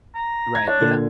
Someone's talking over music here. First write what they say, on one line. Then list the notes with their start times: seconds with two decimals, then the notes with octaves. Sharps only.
Right, yeah.
0.15 A#5
0.55 G#6
0.68 D4 C#5
0.81 A#2 D3